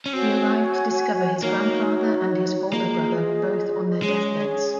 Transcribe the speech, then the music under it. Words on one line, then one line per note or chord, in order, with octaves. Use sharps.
He arrived to discover his grandfather and his older brother both on their deathbeds.
C#4
C4 F#4 C#5 G#5
A#3 D#4 F#4 C#5
A#3 F4 G#4 D#5
G#3 C#4 G#4 C#5